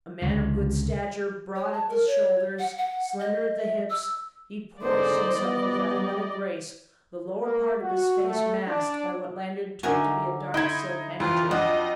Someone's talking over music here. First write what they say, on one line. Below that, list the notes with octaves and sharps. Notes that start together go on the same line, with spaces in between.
A man of good stature, broad at the shoulders, slender at the hips, he poised himself with athletic grace--the lower part of his face masked by what Lanyard took to be a dark silk handkerchief.
C#2 D3
C#5
A5
A#4
C#5
F#5
F#5
D#5
E5
E6
G#2 D3 C5 D5 D#5
G3 B3
A#3
F#4
A3
D4
D3 D#4 F#4 A#4 E5 G#5
D#4 E4 G5 B5 C6 G#6
F2 E3 F4
F2 D4 F4 F#4 D#5